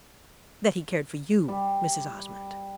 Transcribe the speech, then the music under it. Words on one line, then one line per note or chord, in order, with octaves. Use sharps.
"That he cared for you, Mrs. Osmond."
G3